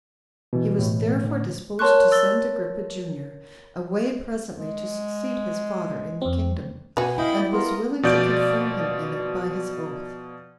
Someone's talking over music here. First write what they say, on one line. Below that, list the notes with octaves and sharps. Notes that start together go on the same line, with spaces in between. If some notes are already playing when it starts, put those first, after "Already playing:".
He was therefore disposed to send Agrippa, junior, away presently to succeed his father in the kingdom, and was willing to confirm him in it by his oath.
B2 E3
A2
D3
A#4 C#5 A5 C6 C#6 F#6
E6 A6 G7
G#3
F2 C4
B2 F#4 B4 G#5
E4 D#5 F5 G5 B5
D5
B3 F4 A#4
B2 F3 D5 G6 A6 D7